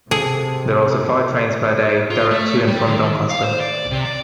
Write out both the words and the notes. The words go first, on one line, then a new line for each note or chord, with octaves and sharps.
There are also five trains per day direct to and from Doncaster.
C3 G#4 A4
F4
A3
G3
D#3
F5
C5
D5
C3
D5